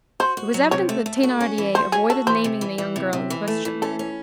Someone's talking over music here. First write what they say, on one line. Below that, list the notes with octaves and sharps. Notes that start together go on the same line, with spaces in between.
It was evident that Thenardier avoided naming the young girl in question.
F#4 C5
F#4
F#3
C3 C#5
A3
A3
F#4
C#4
E3
F#4 C5
C#4 G#4
F#4 A4
E3 C5
C3
E3
E3
C3
C3
E3
A3
E3
C#4 A4
C#4